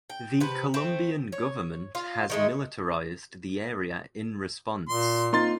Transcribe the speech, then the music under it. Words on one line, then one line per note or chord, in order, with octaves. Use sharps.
The Colombian government has militarized the area in response.
G5
C3 B4
A3 C4
C#5
F4
D#3 G#3 A3
A#2 C6
A#3 C4 D#4 F4 C6 A6